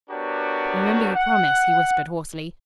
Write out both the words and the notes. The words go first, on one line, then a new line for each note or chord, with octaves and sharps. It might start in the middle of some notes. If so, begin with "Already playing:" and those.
"Remember your promise," he whispered hoarsely.
B3 D4 F#4 G4 A#4 C#5
F#5